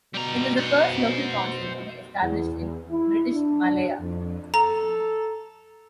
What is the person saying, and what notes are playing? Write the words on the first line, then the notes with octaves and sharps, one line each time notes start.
It was the first local council to be established in British Malaya.
B2 G3 A#5
C5 F#5
E2
E2
E4
D4
F2
A4 A#5